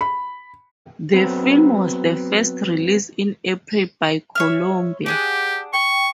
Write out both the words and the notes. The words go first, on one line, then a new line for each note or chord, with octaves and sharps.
The film was the first release in April by Columbia.
B5
F#3 B3 C4
C#5 E5 F6
D4 G4 G#4 F#5
G5 C#6